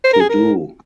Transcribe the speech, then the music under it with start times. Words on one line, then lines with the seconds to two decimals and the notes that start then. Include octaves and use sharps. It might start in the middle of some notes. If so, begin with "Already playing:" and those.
To do.
0.04 C5
0.13 A#4
0.20 G#4
0.29 A#4